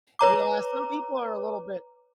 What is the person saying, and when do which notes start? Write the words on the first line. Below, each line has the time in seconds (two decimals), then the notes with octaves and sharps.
Yeah, some people are a little bit
0.19 B4 C#5 A#5 D6